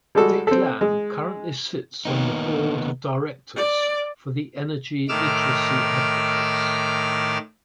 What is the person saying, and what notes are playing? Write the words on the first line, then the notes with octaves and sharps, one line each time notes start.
Dick Lamm currently sits on the board of directors for the Energy Literacy Advocates.
G3 G#3 F#4 A4
C4 A4
G#3
D#3 A#3 B3 D#4
D5
A2 D#3 D6 E6 F6